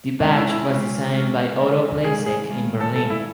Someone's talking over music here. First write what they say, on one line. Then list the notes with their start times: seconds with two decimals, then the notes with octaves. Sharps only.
The badge was designed by Otto Placzeck in Berlin.
0.20 C3 E3 G#3 C#4 D4 F4
0.37 E4
0.51 E4
0.66 C3 E3 G#3 C#4 F4
1.10 C3 E3 G#3 C#4 F4
1.58 C3 E3 G#3 C#4 F4
2.04 G2 D#3 G#3 G#4
2.26 G#4
2.50 G2 D#3 G#3
2.81 A4
2.95 G2 D#3 G#3 A4
3.10 E4